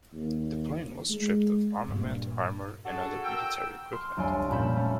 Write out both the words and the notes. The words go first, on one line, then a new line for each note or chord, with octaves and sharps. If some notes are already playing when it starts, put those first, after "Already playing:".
The plane was stripped of armament, armor, and other military equipment.
D#2
G#3
G2 A#2
D4 F#4 G#4 A4
A#4 G5 E6
C6 F6
C2 F2 D4 C#5 G#5 C6
F2 A#2 C#4 B5 G6 E7
A3 C#4